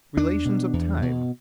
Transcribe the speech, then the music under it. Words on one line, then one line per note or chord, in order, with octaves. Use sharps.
Relations of Time.
E2 D4
B2
E2
B2